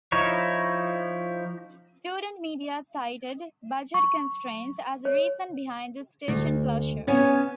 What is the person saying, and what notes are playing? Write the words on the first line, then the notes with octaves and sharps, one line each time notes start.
Student Media cited budget constraints as the reason behind the station closure.
F3 D#4 E4 C#5
C#6
C#5
D2
B3 C#4 C#5 G#5